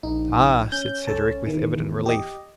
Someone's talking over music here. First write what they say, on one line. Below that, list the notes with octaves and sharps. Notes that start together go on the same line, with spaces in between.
"Ah!" said Cedric, with evident relief.
A#1 D#4
C#4 G6
C#2 A4 A5
E2 D#3
G4 D#5